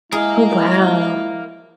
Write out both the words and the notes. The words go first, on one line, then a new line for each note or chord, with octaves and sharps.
Oh, wow.
G#3 E4 G#4 A#4 F5